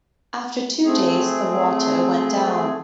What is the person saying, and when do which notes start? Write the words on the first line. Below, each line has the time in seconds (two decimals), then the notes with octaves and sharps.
After two days the water went down.
0.84 A3 C4 G#4